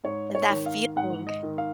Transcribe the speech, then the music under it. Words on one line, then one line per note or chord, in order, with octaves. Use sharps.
And that feeling.
G#2 C#5
C#5
D#3
F5
G#2 F#5
D#5
D#3
F5